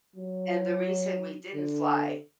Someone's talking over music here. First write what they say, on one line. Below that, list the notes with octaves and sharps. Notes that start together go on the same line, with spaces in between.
and the reason we didn't fly
F#3
D3